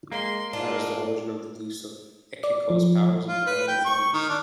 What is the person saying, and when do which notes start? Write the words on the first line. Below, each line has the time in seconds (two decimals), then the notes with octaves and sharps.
That is the origin of the beliefs of Ekeko's powers in providing abundance.
0.12 G#3 A#3 C6
0.53 G#2 D4 F4
2.43 D5
2.70 F3
3.28 F4
3.46 B4
3.68 G5
3.85 C#6
4.13 D#3
4.29 D4